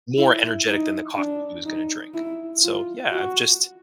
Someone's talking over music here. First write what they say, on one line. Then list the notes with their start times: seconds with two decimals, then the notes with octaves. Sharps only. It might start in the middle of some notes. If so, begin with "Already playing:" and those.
more energetic than the coffee she was gonna drink. So, yeah, I've just
0.18 E4
0.67 D#4
1.17 D4
1.65 D#4
2.14 E4
2.63 F4
3.12 F#4